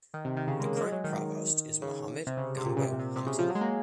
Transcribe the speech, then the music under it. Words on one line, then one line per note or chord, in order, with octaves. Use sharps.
The current Provost is Mohammed Gambo Hamza.
D#3
C3
D#3
C#3
G#3
A#3
A#3
G#3
F#3
D#3
C#3
C3
C#3
C3
A#2
C#3
C3
A#2
C3
C3
C#3
F3
F#3
G#3
A#3